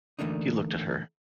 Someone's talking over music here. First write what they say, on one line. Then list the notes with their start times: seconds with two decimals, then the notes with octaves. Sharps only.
He looked at her.
0.19 D3 E3 A3 A#3 D4 D#4